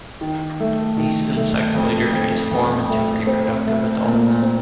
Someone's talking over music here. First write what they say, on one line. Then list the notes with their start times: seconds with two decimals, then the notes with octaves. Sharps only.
These insects later transform into reproductive adults.
0.21 D#3
0.60 A3
0.97 D#3
1.36 A3
1.75 F2
2.13 F2
2.51 F2
2.89 A3
3.27 C4
3.66 A3
4.04 A#2
4.42 C4